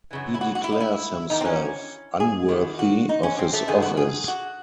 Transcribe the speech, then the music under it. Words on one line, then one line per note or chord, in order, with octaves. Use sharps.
He declares himself unworthy of his office.
F#2 C#3 E3
E4
F#4
F#4
E4
D#4
E4
E2 D#3 D#4
C4
C#4
G#4
E2 D#3
F#4
D#4
C#4
C4
A3
F#2 D#3 G#4
F#4
G#4
F#4